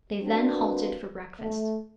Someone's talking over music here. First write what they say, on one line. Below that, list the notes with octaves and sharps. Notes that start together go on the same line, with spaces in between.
They then halted for breakfast.
A#3 C4 D4 F#4 B4
A3